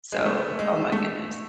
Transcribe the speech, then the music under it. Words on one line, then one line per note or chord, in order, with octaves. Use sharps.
So Oh my goodness.
G#3
A3
G#3
A3